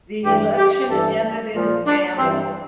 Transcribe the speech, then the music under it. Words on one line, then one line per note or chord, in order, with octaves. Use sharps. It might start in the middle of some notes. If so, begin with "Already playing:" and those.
The election ended in scandal.
G2 E3 G4
G4
G2 E3 A4
A#2 F3
D4
G2 E3 C4